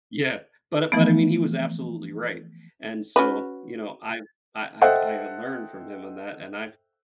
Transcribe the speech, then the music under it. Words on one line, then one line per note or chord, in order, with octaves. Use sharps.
Yeah, but but I mean, he was absolutely right. And so, you know, I I I've I've learned from him on that, and I've
E3 F3 A3 B3
C#4 F#4 B4
A4 C5 D#5 E5 F#5 G5